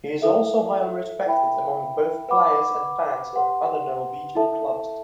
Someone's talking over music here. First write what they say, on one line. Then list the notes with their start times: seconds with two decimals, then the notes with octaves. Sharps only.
He is also highly respected among both players and fans of other Norwegian clubs.
0.22 E4 A4 E5
1.26 E4 B4 E5 G5 B5
2.29 B4 F#5 B5 D6
3.33 G4 B4 F#5 C6
4.35 E4 A4 E5 A5